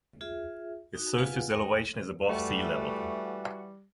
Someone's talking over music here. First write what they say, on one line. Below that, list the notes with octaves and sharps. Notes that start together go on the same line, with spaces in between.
Its surface elevation is above sea level.
F4 G#4 E5
D#4 F#4
F4 G#4 B4 F5 F#5 G#5
G#3 A#4 G5 G#5 D#6
E3 G3 A3 F#4